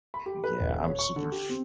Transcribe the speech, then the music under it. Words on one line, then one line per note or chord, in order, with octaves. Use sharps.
yeah, I'm super f
B5
G4
B4
D#1
C#5
C#6
D3
G4
C4